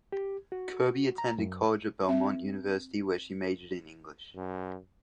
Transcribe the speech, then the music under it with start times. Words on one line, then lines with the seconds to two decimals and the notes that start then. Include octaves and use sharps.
Kirby attended college at Belmont University where she majored in English.
0.12 G4
0.52 F#4
1.18 A#5
1.38 F#2
2.08 C4 E5
4.36 F#2